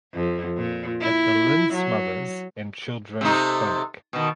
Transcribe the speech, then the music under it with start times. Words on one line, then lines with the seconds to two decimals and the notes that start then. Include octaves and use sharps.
At the Linz Mothers and Children Clinic.
0.14 F2
0.57 A#2
1.00 E4
1.74 F#3
3.21 C3 A3 D#4
4.13 B2 D#3